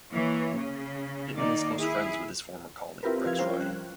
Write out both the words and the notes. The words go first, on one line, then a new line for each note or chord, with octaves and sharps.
Pittman is close friends with his former colleague Rex Ryan.
E3 A#3 C#5
C#3
D#3 A#3 D#4 D5
E4 G#4
C4 E4 F4 G4 A#4 B4
F3 E4 F5 G#6
G3 C#4 F4 A#4 C5 G5
F#6